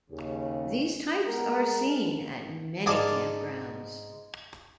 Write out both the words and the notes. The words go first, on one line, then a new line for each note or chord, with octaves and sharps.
These types are seen at many campgrounds.
D#2 C#3
G#3 B3 A#4
G#2 G#4 D5 F5 A5